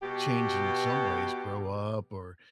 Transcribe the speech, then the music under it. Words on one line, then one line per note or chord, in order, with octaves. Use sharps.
change in some ways, grow up, or,
B2 G4